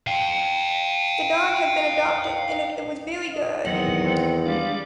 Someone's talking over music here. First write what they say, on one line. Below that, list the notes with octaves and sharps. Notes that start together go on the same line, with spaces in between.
The dog had been adopted, and it was very good.
F5 G5
D#5
E2 D#3 F#3 C4 F#5
C4
G3 G#3 D4 F5